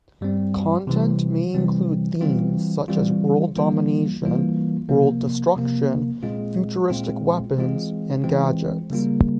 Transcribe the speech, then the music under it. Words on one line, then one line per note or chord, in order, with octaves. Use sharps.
Content may include themes such as world domination, world destruction, futuristic weapons, and gadgets.
G2 G3 C4
C3 E3 G3 C4
C3 E3 G3 C4
E3 G3 C4 F4
E3 G3 C4 F4
E3 G3 A#3 F4
E3 G3 A#3 F4
C3 F3 A#3
C3 F3 A#3
A#2 G#3 C4 F4
A#2 G#3 C4 F4
E3 G#3 C4 F4
E3 G#3 C4 F4
C#3 G3 A#3 F4